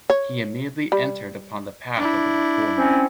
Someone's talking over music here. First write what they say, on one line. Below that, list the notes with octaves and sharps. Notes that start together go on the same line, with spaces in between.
He immediately entered upon the path of the reformer.
C#5
G3
D4 E4
C4 C#4